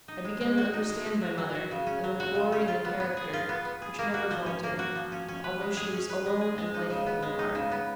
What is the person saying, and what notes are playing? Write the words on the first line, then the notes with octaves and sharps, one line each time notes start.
I began to understand my mother and the glory in the character which never faltered, although she was alone and life had been hard.
D#4
G#3
G#3
F#4
D#4
G#3
G#3
F#4
F#3
F#4
C#3
C#4
F#3
F#4
C#3
C#4
F4
B3
B3
G#4
F4
B3
B3
G#4
A#3
F#4
F3
C#4
A#3
F#4
F3
C#4
C#4
B4
G#3
G#4
C#4
B4
G#3
G#4
G#3
D#4
C#3
B3
G#3
D#4
C#3
B3